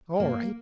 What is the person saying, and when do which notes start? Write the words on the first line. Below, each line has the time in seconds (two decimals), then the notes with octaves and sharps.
'All right.
0.20 A#3